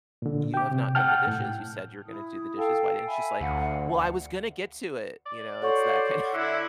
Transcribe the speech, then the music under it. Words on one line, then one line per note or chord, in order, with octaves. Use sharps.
you have not done the dishes, you said you were gonna do the dishes. Why didn't" She's like, "Well, I was gonna get to it." You know? It's that kind
A#2 D3
G5 D6
C3
F#5 G5 A5 F6
A2
E4 D#6
A4 F5 G5
E5 G#5 B5
D2 F5 F#5
D5
F#4 A4 C5 C#5 F#5 C#6
D3 E4